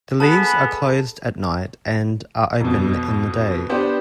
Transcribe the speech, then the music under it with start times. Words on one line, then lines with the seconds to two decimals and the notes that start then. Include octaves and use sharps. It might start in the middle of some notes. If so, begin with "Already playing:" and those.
The leaves are closed at night and are open in the day.
0.20 B3 G#4 A4 A5 B5
2.60 F2 B2
3.69 B3 D4 G4 C5